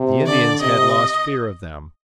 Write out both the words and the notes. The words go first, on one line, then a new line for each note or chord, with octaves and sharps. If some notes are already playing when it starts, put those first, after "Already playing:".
The Indians had lost fear of them.
Already playing: C3
D3 D5
C3 D#5